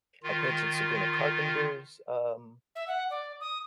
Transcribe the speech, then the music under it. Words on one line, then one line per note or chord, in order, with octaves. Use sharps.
I painted Sabrina Carpenter's, um,
D#3 F4
E5
F#5
D5
D#6